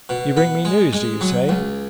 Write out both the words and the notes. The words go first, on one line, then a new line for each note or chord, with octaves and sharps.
"You bring me news, do you say?"
B2
B3
G#3
G#3
F#3
C#2